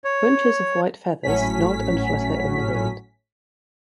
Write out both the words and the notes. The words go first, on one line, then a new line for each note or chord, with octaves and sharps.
Bunches of white feathers nod and flutter in the wind.
C#5
G#1 A2 F#3 C#4 B6